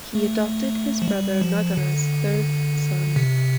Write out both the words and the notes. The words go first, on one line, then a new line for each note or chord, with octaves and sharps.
He adopted his brother Nagara's third son.
A3
F3
G3
F3
D3
C3